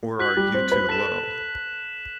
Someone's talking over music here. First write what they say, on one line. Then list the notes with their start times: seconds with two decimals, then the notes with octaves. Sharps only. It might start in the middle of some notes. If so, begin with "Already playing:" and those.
Or are you too low?
0.19 F#4 F#6 B6 F#7
0.37 G3 G4
0.54 C4 C5
0.72 B4 B5
0.89 A4 A5 F#6 B6 E7